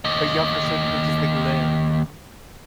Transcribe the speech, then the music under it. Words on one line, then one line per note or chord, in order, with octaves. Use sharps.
Uh, yeah, for sure to just like live, you know.
D#2 D#5